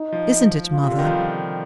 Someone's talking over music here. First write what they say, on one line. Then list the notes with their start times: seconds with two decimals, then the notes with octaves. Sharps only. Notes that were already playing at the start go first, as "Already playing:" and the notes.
Isn't it, mother?'
Already playing: D#4
0.12 F3
0.73 F4
0.83 C3
0.91 D3
0.99 D#3
1.05 F3
1.13 G3